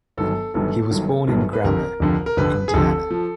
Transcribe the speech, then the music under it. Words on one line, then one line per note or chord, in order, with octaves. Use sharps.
He was born in Grammer, Indiana.
G1 G2 D#3 F#3 A4
G1 G2 D#3 F#3 A4
G1 G2 D#3 F#3
G1 G2 D#3 F#3
B4
F1 F2 D3 A#4
F1 F2 D3
A#4
F1 F2 D3 B4
G#4
F1 F2 D3 A4
F3